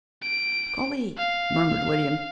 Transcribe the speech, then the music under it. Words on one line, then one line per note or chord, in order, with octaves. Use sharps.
"Golly!" murmured William.
D7
F5